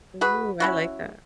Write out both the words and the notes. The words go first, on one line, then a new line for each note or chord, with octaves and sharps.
Mhm. I like that.
F#4 G#4 B4
C#4 E4 F#4